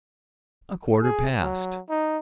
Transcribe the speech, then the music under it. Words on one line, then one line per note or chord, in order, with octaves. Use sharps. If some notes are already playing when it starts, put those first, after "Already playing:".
A quarter past.
G#4
F#3
D#4